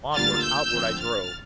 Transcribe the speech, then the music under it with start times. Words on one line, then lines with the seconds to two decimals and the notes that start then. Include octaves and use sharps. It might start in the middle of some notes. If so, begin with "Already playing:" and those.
Onward, outward, I drove.
0.14 D2 D3 G3 A#3 F4 F6 A6
0.43 E6 G6
0.71 D3 F3 C4 F4
1.00 F6 A6